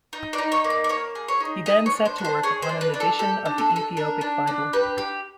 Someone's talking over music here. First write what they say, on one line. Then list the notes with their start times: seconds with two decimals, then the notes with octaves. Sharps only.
He then set to work upon an edition of the Ethiopic Bible.
0.13 D#4
0.33 D5
0.38 D#4
0.52 C#5
0.64 A#3
0.70 D5
0.84 D5
0.89 A#3 C#5
1.15 G#4
1.28 C#5
1.40 D#4
1.66 G#4 D#5
1.86 C#5
1.91 D4
2.05 C5
2.18 D4
2.25 C5
2.43 G#4 C#5
2.62 C5
2.69 D4
2.81 B4
2.94 D4
3.00 A4
3.19 G4 A4
3.46 D4
3.58 A4
3.71 D4
3.76 A4
3.97 D4 A#4
4.21 D4
4.47 D4
4.73 G4 B4
4.98 G4